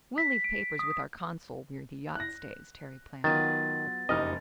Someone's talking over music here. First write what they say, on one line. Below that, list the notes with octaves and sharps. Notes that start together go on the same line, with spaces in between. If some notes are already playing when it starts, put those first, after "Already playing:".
"We'll leave papers with our consul where the yacht stays," Terry planned.
B6
D7
D#6
F#6 A#6
D#3 F#3 B3 F4 A6
F#1 F2 D#4 G4 D#5 F6